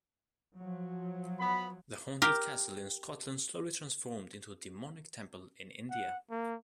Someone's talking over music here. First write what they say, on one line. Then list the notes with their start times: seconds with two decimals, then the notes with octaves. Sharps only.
The haunted castle in Scotland slowly transformed into a demonic temple in India.
0.57 F3 F#3
1.40 B3 B5
2.22 G4 A#4
5.90 F#5
6.30 A#3